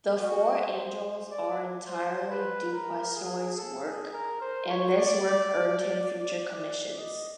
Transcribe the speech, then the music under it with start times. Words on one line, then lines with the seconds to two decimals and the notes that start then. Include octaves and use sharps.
The four angels are entirely Duquesnoy's work, and this work earned him future commissions.
0.17 F#4
0.60 C5
1.31 D5
1.86 C5
2.30 B4
2.72 A#4
3.15 G#4
3.57 A4
3.85 G#4
4.13 A#4
4.41 C5
4.69 C#5
4.98 D5
6.11 D5
6.54 D5
6.97 D#5